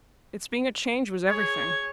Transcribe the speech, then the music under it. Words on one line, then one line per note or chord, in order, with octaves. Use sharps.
Its being a change was everything.
G#4 C#5 G#6